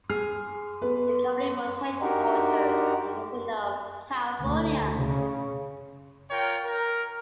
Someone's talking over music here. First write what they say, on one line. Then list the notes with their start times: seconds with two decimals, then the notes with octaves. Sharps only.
The company was headquartered in Encino, California.
0.10 G#4 F6 C7
0.82 B3 B4
2.01 D4 D#4 F#4 G4 A#4
4.40 D2
4.97 C#3
6.30 F4 A#4 C#5 G5
6.65 A#4